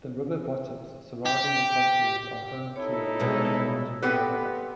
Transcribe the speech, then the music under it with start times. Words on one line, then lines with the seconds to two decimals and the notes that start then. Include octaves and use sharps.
The river bottoms surrounding the confluence are home to a large amount of wildlife.
1.26 G4
2.76 D#4 E4 A4 C#5
3.20 B2 G3 G#3
4.02 B3 C4 G4 A4 B4